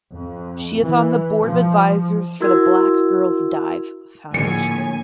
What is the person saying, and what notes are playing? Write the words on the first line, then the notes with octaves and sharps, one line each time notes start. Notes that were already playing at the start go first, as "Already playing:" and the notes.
She is on the Board of Advisors for the Black Girls Dive Foundation.
F2
E3
F3
E4 F#4 A#4 E6 G#6
A2 D3 F3 A#3 G#4 C#5 G#5 C#7